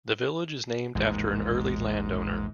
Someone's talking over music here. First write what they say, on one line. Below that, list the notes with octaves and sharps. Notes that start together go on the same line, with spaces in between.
The village is named after an early landowner.
A1 D#2 G#2 D#3